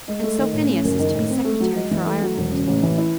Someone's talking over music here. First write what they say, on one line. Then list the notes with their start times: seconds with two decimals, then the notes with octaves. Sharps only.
And so Phineas is to be Secretary for Ireland!
0.08 G#3
0.23 A3
0.39 D#3
0.53 A2
0.69 C#4
0.84 F#1
0.99 D#3
1.15 A2
1.30 C4
1.45 A3
1.60 F#3
1.76 G#3
1.91 E3
2.06 A3
2.21 F#3
2.37 E1
2.52 C#3
2.67 A1
2.83 E3
2.98 E4